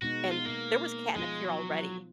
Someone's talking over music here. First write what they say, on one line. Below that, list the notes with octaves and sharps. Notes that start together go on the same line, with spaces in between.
and there was catnip here already
B2 G#3 B3 D#4 F#4
F4
A#3
F3 G#3 B3 F4
F#3